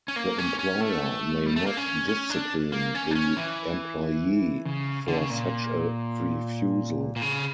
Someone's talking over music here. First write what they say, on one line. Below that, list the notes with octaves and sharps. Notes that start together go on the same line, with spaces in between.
The employer may not discipline the employee for such a refusal.
C#4
A#3
C#4
C#4
A3
G3
A3
A#3
C#4
C#4
D4
A#3
C#4
D4
C#4
E3
C#3
D3
C#3
A#2
A#2
C#3